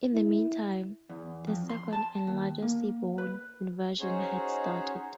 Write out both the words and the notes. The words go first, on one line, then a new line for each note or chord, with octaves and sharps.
In the meantime, the second and larger sea-borne invasion had started.
E4
E2
F2
C6
A5
D#2
A#3
B4
C#4 D#4 F#4 G#4 C5 C#5